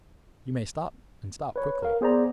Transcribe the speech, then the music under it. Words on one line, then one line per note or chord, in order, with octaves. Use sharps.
"You may stop, and stop quickly."
B4 C#5
A#4 F5
B3 G#4 C5 D5 A#5